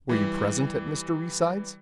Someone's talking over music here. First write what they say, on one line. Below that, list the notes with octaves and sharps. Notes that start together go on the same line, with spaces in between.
"Were you present at Mr. Reeside's?"
E3 G3